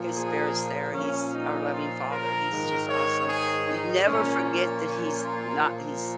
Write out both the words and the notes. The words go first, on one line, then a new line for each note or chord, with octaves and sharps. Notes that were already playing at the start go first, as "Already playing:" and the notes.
his spirits there He's our loving Father, he's just awesome. You never forget that He's not He's
Already playing: A#2 F3
G#4
A#2 F3 C#4
D#4
F4
A#4
G#2 D#3
C#5
G#4
D#4
A#2 F3 C#4
A#3
C#4
F4
A#2 F3